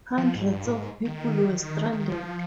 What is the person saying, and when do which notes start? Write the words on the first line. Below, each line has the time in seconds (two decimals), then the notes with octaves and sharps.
Hundreds of people were stranded.
0.18 F3
0.35 G#2
0.52 G2
0.65 A#2
0.70 G#2
1.05 D#3
1.92 D#3
2.10 F3